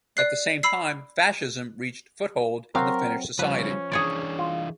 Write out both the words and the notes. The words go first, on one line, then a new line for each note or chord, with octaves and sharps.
At the same time, fascism reached foothold in the Finnish society.
D5 F#6 C7
B5 E6 C7
F#3 C4 F#4 A#4 F5
C#3 F3 G3 C#4 B4
E3 D4 G#4 C#5 D5
F4